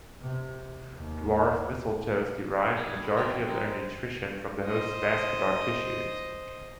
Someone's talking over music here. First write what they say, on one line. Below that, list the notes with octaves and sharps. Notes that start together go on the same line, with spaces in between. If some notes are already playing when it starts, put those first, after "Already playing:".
Dwarf mistletoes derive the majority of their nutrition from the host's vascular tissues.
C3
D#2
G3 A3 G#4
B5
F2 C4 C#4 G5
G#3 D#4
C5
C5 D#5